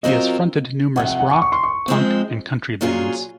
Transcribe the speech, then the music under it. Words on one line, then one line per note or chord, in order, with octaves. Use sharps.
He has fronted numerous rock, punk and country bands.
F#3 C4 F4 A#4 D#5
F2 C3 D#3 F#5
F#5
F#5
C#6
C#6
C6
C#6
G#2 F3 G#3 C4
A#2 F#3 C#4 F4 G#4